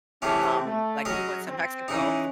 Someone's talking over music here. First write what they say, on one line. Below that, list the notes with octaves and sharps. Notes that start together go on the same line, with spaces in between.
um, like, we went to Mexico.
C3 E3 A3 C4 C#4 G#4
A3
F#3 C#4 G#4 D#5
C4
E3 G#3 C#4 D#4